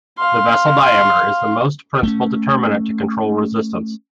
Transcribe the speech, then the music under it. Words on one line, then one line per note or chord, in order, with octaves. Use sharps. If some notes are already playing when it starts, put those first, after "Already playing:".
The vessel diameter is the most principal determinant to control resistance.
F5 C6
A3 A#3 C#4